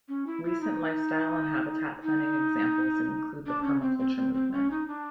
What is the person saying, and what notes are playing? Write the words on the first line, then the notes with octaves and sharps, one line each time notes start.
Recent lifestyle and habitat planning examples include the permaculture movement.
C#4
E4
E4
D#4
D#4
D4
C#4
C4
C4
C4
C4
C#4
D#4
D4